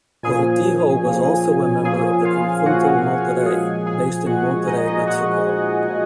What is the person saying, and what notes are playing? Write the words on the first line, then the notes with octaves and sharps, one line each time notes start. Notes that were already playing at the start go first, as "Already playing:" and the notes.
Cortijo was also a member of the Conjunto Monterrey, based in Monterrey, Mexico.
A#2 F3 A#3 C#4 G#4 G#5
A#2 F3 A#3 C#4
A#2 F3 A#3 C#4 G#4 G#5
F4 F5
A#2 F3 A#3 C#4 F#4 F#5
F#5
A#2 F3 G#3 G#4 G#5
G#4 G#5
A#2 F3 G#3 F#4 F#5
D#4 D#5
D#4 D#5
A#2 F3 G#3 F#4 F#5
A#2 F3